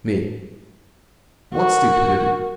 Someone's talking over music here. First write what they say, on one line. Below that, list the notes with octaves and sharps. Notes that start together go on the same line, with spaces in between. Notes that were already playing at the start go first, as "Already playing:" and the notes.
ME: What stupidity?
F#4 A#4